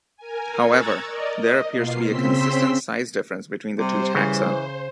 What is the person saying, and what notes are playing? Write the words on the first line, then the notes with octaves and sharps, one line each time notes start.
However, there appears to be a consistent size difference between the two taxa.
A#4 G#5
A#5 C#6 E6 F#6 G#6 A6
A#4 D5 D#5
D#5
B2 A#3 F4 C7
C#3 C4 C6 E6 B6
C3 G3 C5
C#3 E3